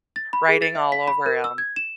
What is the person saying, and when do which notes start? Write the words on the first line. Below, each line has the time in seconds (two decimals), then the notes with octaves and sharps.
writing all over 'em.
0.16 A6
0.33 B5
0.49 G#4
0.62 A6
0.75 E5
0.92 B6
1.08 B5
1.26 A#4
1.44 E6
1.58 G#6
1.76 E7